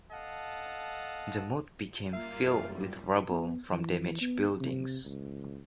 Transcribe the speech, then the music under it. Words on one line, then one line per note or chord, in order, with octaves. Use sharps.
The moat became filled with rubble from damaged buildings.
A4 D#5 F5 F#5 A5
F#2 G3 A#3 F4 E5 F5
B3
E3
B3
C3
C#2